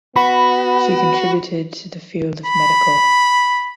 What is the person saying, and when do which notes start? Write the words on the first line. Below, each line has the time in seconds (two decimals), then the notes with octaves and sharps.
She contributed to the field of medical.
0.16 B3 F#4 B5
2.46 B5